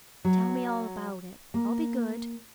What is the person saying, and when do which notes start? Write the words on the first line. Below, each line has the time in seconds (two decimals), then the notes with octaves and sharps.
"Tell me all about it; I'll be good."
0.25 F#3
1.54 A#3